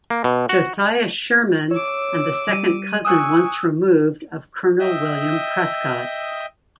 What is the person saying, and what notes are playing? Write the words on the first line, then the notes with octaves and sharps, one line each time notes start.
Josiah Sherman and the second cousin once removed of Colonel William Prescott.
A#3
B2
F#4
C#5 D6 E6
G3 D#7
G#5 C#6 D#6 E6 F#6
D#5 E5 G5 D#6 E6